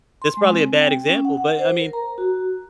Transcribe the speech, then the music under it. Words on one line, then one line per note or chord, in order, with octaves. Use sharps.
it's probably a bad example, but, I mean,
C6
G#3
C4
G5
C#4
F#5
F#5
C5
A#4
A#5
F#4